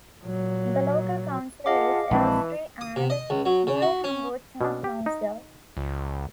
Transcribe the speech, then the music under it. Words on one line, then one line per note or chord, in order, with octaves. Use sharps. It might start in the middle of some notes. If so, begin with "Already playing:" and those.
The local council is Elstree and Borehamwood Town Council.
A#2 F#3
F4 G#4 D#5 F5 F#5 A5 D6
A#1 E3 G#3 C4 A5 B5 C#6
D#6
C3
D#5
C#2
F#3
C#3
F#4
C#4
B2 C#4 D4
G4
D#4
C#2